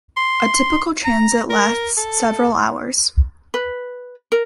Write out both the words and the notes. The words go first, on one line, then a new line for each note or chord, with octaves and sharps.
A typical transit lasts several hours.
C6
A#5
A#4
A4
B4
A#4